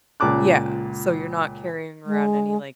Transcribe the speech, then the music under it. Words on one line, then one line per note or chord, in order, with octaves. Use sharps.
yeah, so you're not carrying around any, like,
C#2 A#2 A5 D6 F#6
G#3